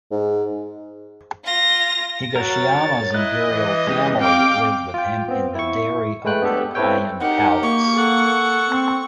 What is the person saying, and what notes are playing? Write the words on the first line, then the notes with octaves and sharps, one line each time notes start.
Higashiyama's Imperial family lived with him in the Dairi of the Heian Palace.
G#2
F4 A#6
F#3 F#4 A#4 A6
C#5
E4 D#5 F#6
E3
G#3 C#4 G4
C4 F5 G5 D6
F4 G5
B3 C4
E4 C#6
G#3 A3 B4 G5 F#6
B3 D4 G4 A4
C4 E4 A4 B4 C#5 G5
D#4 G4 A#4 F#5
A#3 C#6
A4 F#5
C4